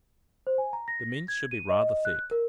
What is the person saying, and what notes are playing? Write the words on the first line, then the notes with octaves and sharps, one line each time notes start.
The mince should be rather thick.
C5
G#5
A#5
A#6
G#6
D#7
D#5
F#6
A#4